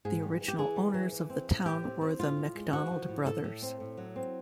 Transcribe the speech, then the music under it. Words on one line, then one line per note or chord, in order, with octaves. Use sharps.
The original owners of the town were the Mcdonald brothers.
G#2 G#4
G3
E3
G4
E3 G#4
G3
E3
E3
C4
A2
A2 G4
C4
C4
A2 F4
A2
G#3
F3 F#4
F3
A2
A2 A4
A2
C4
A2
F#3
C4